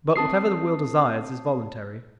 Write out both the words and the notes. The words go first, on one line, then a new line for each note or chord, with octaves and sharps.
But whatever the will desires is voluntary.
C4 A5 D#6 C7